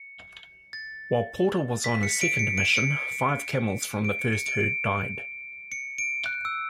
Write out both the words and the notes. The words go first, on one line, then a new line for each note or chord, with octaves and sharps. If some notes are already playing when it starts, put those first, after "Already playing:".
While Porter was on his second mission, five camels from the first herd died.
Already playing: C#7
A6
B6
C#7
D7
C#7
D7
C#7
D7
C#7
C#7
D7
D7
C#7
D7
F#6
E6